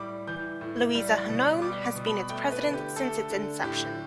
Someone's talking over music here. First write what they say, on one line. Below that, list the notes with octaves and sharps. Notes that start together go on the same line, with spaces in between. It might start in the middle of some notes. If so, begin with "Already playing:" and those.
Louisa Hanoune has been its president since its inception.
Already playing: A2 G3 D6
E3 G6
A2
G3
B2
G3 D6
D6
B2
B5
A3 G5
B4
D3
G4
A3 A4
D3
A2 G4